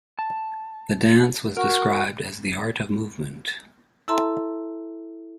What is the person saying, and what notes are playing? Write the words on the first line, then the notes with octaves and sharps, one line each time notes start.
The dance was described as the art of movement.
A5
F#4 A#4
E4 A4 E5 A5 A#5 C6